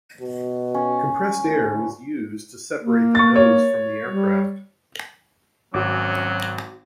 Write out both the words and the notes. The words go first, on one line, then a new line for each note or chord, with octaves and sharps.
Compressed air was used to separate the nose from the aircraft.
B2
C#4
D2
A#3
C#6 A6
C#5
G3
G#1 F#3 C#4 F#4 D6